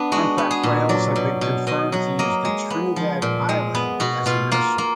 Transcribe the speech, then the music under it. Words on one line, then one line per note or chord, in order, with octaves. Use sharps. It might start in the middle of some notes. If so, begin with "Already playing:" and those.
Humpback whales have been confirmed to use the Trindade island as a nursery.
Already playing: B3 D4
G#3 F#4
B3
G#4
A#2
F#3 D5
B2
B2
B2 D#5
F#3 F#5
A#3 D#5
G#3
B3
F3
A#2
G#3
B3
B2 F#4
B2 F4
A#3 F4
A#3